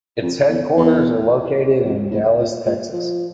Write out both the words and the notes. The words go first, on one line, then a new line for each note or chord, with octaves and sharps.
Its headquarters are located in Dallas, Texas.
F2
E2
E2
F2
A2
A#2
A#2
F3